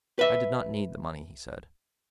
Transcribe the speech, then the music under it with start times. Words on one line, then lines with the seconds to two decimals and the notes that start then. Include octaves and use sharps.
"I did not need the money," he said.
0.19 B4 E5